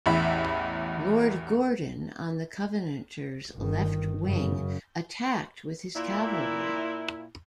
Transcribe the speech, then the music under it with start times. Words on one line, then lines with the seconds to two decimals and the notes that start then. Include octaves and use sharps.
Lord Gordon on the Covenanters left wing attacked with his cavalry.
0.06 A1 E2 E5 B5
3.56 G1 D#3
4.24 F#2 C#3
5.96 A#2 E4